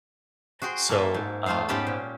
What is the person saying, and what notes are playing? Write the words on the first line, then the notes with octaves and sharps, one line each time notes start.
So, uh
F#4 G#4 G5 C6
A#3 A4 A#4 E5 C6
G#2
A3 F4 C5 C#5 F5
G#2 B3 C#4 G4 A5 B5
A#2